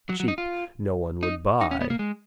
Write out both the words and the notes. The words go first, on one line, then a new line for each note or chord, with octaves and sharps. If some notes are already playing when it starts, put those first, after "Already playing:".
Cheap no-one would buy.
F#3
F#3
D#4
F4
D#4
D#4
C#4
B3
A#3
G#3